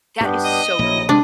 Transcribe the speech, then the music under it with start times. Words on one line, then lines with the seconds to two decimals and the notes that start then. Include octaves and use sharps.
That is so cool.
0.21 G2 B3 D4 G4
0.44 D#5
0.79 A#1 F#3 E4
1.09 C3 G#3 C4 D4